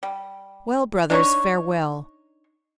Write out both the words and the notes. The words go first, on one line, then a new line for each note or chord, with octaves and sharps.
'Well, brothers, farewell!
G3
D4 D#4 C#5